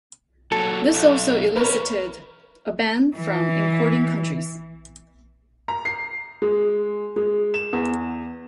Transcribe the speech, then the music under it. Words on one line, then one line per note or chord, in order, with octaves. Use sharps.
This also elicited a ban from importing countries.
A#2 F#3 A4
B1
E2 C#4 A#4 B4
E3
A#5
C7
G#3
G#3
E7
E2